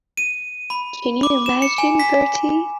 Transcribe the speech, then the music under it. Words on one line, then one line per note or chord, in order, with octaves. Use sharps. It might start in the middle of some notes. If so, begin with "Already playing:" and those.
Can you imagine, Bertie?
D#7
B5
D6
E7
C#7
G#5
B6